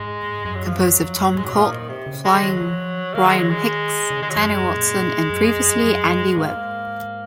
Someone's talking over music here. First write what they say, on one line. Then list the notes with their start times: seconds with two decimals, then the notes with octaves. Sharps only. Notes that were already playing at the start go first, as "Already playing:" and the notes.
Composed of Tom Colt, Flyin' Bryan Hicks, Tanner Watson and previously Andy Webb.
Already playing: G#2 G#3
0.45 F#2 G#3
0.55 F#3
0.65 F3
0.76 F#3
0.89 F#2
0.99 F2
1.16 F#2
1.35 G#2 G#3
1.45 C3 F#3
1.53 A#2 F3
1.71 D#3
1.89 C3
2.06 C#3
2.24 G#3
2.34 D#3
2.43 F#3
2.60 F3
3.14 D#3 A#3
3.26 G#3
3.38 F#3
3.49 G#3
4.10 C#3
4.22 D#3 G#3
4.29 F#3
4.36 F#2 G#3
4.49 F#2
4.62 F#2
4.76 A#2
5.29 F#2
5.57 F#2
5.72 F2
5.83 F#2
6.32 G#3
6.37 G#2 A#3